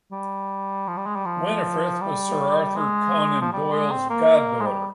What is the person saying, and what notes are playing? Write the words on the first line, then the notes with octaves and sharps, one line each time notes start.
Winnifrith was Sir Arthur Conan Doyle's god-daughter.
G3
F3
G3
G#3
G3
F3
G3
G#3
F3
G3
G#3
C4
A#3
G#3
G3